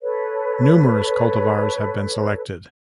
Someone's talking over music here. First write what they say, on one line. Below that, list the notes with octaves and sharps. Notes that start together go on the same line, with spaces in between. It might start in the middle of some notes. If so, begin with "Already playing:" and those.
Numerous cultivars have been selected.
A4 B4 C#5